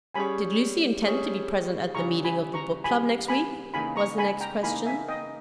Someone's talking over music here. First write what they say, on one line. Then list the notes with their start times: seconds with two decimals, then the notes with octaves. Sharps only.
Did Lucy intend to be present at the meeting of the Book Club next week? was the next question.
0.14 G3 C#4 G#4 C#5 G#5 B5
1.05 G3 C#4 G#4 C#5
1.94 C#3 E3 G3 A#5 C#6
2.25 G#5 B5
2.54 A#5 C#6
2.84 C#3 E3 G3 G#5 B5
3.28 G#5 B5
3.74 C#3 E3 A#3 D#4 A#4 G#5 B5
3.96 A#5 C#6
4.18 G#5 B5
4.41 G5 A#5
4.63 C#3 E3 A#3 D#4 A#4 G#5 B5
4.86 E5 G#5
5.08 D#5 G5